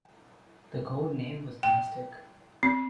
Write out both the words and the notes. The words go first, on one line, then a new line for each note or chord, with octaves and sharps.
The code name was Mystic.
G5
C4